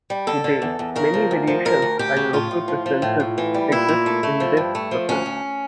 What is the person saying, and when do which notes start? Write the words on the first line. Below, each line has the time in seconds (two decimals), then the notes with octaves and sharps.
Today many variations and local preferences exist in this process.
0.10 G3
0.27 D3 A4
0.44 D3
0.62 E2
0.79 E2
0.96 C#3 A#4
1.14 F3
1.31 D2
1.47 F3
1.65 D2 A#4
1.82 D2
1.99 D2 G4
2.17 C#3
2.33 A2 F4
2.51 A2
2.68 F3
2.86 F3
3.02 A2
3.20 A2
3.38 E3
3.54 G3
3.72 A#2 E4
3.88 A#2
4.06 A3
4.23 A3
4.40 F3
4.57 G2
4.75 A3
4.91 F3
5.09 D2 C#4
5.26 D2